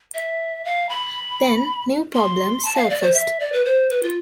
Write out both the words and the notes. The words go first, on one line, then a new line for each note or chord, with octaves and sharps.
Then new problems surfaced.
E5
F5
B5
C6
A5
F5
D5
C5
E5
D5
B4
C5
B4
F4